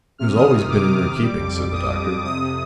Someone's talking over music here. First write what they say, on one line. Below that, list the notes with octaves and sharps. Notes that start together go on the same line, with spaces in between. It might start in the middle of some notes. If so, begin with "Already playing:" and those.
"It has always been in your keeping," said the Doctor.
C3 F6
D#3 D#6
C3 D#6
D#3 D6
C3
C3
G3
F2
F2
F2 D#6
F2
F2
C3 D#6
C3